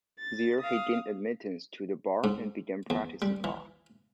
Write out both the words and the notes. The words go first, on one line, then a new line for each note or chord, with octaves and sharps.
There he gained admittance to the bar and began practicing law.
A6
F5 D#6
G#2
E2
G3
E3